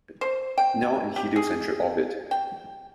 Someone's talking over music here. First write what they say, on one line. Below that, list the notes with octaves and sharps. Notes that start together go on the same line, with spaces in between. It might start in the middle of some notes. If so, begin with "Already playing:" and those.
Now in Heliocentric orbit.
C5
G5
G4
G#4
G5